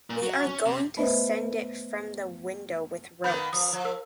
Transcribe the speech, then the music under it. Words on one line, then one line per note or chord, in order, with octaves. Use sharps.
We are going to send it from the window with ropes.
A#2
F#3
C#4
C3
A3 B3 B4 C5 D#5 E5
D#3 A#3 B3 B5 G6
F3 D#6
F3
A#4 E6